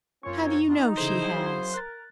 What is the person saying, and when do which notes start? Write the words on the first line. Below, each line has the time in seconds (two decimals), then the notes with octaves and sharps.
"How do you know she has?"
0.23 F#2 A#3 C4 C#4 F4 C#5 C#6
0.67 B3 D4 D#4 F4
0.97 C#3 E3 E4 G#4 A4 C5
1.32 F#2 F#3 F5
1.74 A#4 F#6 A6